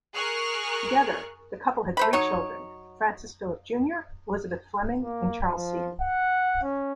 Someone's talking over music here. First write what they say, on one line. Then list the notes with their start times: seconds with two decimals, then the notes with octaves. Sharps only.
Together the couple had three children: Francis Philip Junior Elizabeth Fleming, and Charles Seton.
0.15 G#4 A#4 C#6 F6 F#6
1.97 A3 C5 B5
2.13 F#3 D#4 C#5
5.02 A#3
5.52 F3
6.01 F#5
6.62 C#4